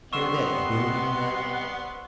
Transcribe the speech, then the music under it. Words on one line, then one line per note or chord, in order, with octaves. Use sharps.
Hear that booming ahead!
G3 B3 C4 D#5 C6 C#6 E6 E7